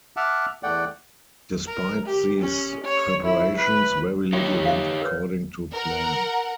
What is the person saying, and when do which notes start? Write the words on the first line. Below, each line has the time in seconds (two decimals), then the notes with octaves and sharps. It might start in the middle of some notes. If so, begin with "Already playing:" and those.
Despite these preparations, very little went according to plan.
0.17 E5 F#5 A5 D6 F6
0.63 E2 A3 D5 F#5 G5
1.68 A#4
2.06 G4
2.39 C#4
2.84 C#5
3.24 E4
3.58 B4
4.33 D#4 F4 G4 C#5 E5
4.65 E5 F5
5.02 A#4 B4 C#5
5.75 A#4 F#5